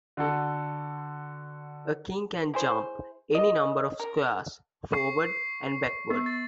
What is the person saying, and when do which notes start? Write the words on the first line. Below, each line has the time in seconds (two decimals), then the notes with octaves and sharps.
A king can jump any number of squares forward and backward.
0.17 D3 F#4 A4
2.54 E4 G#4 C5
3.35 D#5
4.00 A#4
4.92 C#6 C7
6.10 B3
6.26 A6